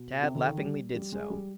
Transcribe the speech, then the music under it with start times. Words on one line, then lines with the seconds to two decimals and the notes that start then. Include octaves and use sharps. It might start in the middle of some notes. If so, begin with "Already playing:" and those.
Tad laughingly did so.
Already playing: B2
0.23 C3
0.35 D3
0.47 D#3
0.58 G3
0.95 G3
1.12 G#3
1.30 G3